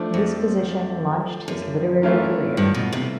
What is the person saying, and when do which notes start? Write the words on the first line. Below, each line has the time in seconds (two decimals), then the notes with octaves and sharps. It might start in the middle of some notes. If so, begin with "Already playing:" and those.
This position launched his literary career.
Already playing: F3 A3 D4
0.14 F2
1.48 F#2
2.02 E3 A3 C#4 F4 A#4
2.57 G2
2.74 B2
2.93 C3